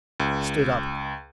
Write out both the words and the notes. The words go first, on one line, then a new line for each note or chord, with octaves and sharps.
I stood up.
C#2